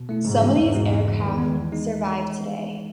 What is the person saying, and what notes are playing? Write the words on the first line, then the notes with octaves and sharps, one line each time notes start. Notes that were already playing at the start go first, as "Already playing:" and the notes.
Some of these aircraft survive today.
Already playing: B2
A3 E4
G#2 C#3
E3 A3 C#4 F#4
E2 G#2
B2 G#3 D#4 F#4
E2
C#3 E3
E2 D#3
G#3 B3
E3
G#3 D#4